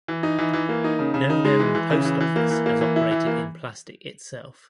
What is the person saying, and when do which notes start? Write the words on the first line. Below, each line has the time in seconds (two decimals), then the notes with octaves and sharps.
No known post office has operated in Plastic itself.
0.08 E3
0.23 D#4
0.39 E3
0.53 E3
0.69 A#3
0.84 D#4
0.99 C#3
1.14 C#3
1.30 D#4
1.45 G#3
1.60 E3
1.75 E3
1.90 C#3
2.05 E3
2.20 E3
2.36 A#3
2.51 E3
2.66 A#3
2.81 E3
2.96 E4
3.11 E3
3.27 A#3